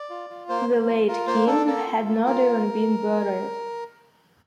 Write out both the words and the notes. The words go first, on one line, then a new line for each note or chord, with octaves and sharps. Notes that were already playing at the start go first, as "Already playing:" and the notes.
The late king had not even been buried.
Already playing: D5
F4
F4
A#3 C5
A#3
F4
F4 A#4
A#3 C5
D4 A4
A#3 A4
F4
A#3
F4 A#4